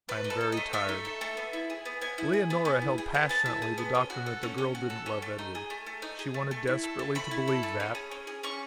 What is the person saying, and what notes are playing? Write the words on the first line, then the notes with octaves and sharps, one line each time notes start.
I am very tired. Leonora held passionately the doctrine that the girl didn't love Edward. She wanted desperately to believe that.
A3 B4
D#4
A4
A4
A3 D#5
A3 E5
D#4
A4
A3
B3
E4
G#4
B3
B3 G#5
E4
G#4
B3
B3
E4
G#4
B3
B3 A5
E4
G#4
B3
C#4
F#4
A4
C#4
C#4
F#4
A4
C#4
A3
D#4
G#4
A3
A3
D#4
G#4
A3
A3
E4
A4
A3
A3 B5
E4
A4
A3
C#4
G#4
C#4
G#4
C#4 C#6